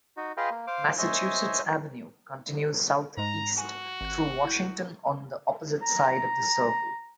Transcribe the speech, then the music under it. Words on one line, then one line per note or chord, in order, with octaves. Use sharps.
Massachusetts Avenue continues southeast through Washington on the opposite side of the circle.
D#4 F#4
F4 G#4 B4 D#5 F5 G5
A#3
C5 F5 D6
C5 C#5 D#5 E5 G#5
G#2 G#3 A#5
F#4 G#5
G#1 F#6
E4 G6
A#5